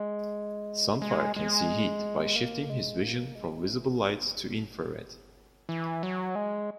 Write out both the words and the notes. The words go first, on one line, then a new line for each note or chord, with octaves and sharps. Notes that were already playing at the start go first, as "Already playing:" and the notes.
Sunfire can see heat, by shifting his vision from visible light to infrared.
Already playing: G#3
G#3
G#3
A#3
G#3
A#3
G#3
E3
A#2
B2
A#2
C#3
B2
C#3
E3
F#3
G#3